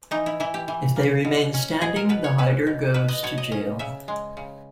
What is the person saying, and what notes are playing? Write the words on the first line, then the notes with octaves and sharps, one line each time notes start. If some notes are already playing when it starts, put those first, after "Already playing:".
If they remain standing, the hider goes to jail.
E3 D#4
E4
E3 E4
G4
E3
A#3
B2
C#4
B2 G#4
A#4
B2 B4
C#5
C#4 B4
B2
B2 B4
D#5
B2 C#5
D#5
C#4 D#5
C#3 E5
G#3
C#3